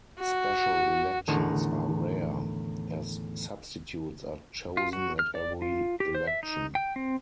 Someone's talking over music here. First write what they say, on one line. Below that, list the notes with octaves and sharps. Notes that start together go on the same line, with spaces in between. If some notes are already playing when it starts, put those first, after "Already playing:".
Special elections are rare, as substitutes are chosen at every election.
F#4
E2 A2 D3 D#3
F4
F#4
F6
D5
F4
G4
C5
E5
D#4
G5
C4